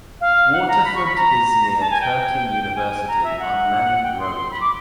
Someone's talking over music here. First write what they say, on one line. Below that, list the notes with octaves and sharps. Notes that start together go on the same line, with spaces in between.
Waterford is near Curtin University on Manning Road.
F5
F#5
A#5
B5
C#6
B5
A#5
A5
G#5
G5
G#5
A#5
E5
F#5
G5
C6
C6
B5
D6